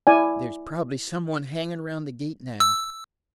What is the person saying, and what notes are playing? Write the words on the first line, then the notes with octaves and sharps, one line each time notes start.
There's probably some one hanging around the gate now.
E4 D5 G#5
E6